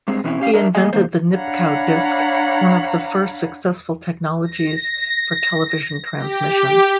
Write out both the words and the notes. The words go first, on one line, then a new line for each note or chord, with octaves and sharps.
He invented the Nipkow disk, one of the first successful technologies for television transmission.
G2 G#3 C4
B2 E3 C4 C#4 E4
C#4 G4 F5
D4 A#4 D#5 E5
E2 A2 A#3 G#4 D#5 G#5
D#3 A#3 C5
D4 C#5 F5 F#5 A#5 B5
A#6
G4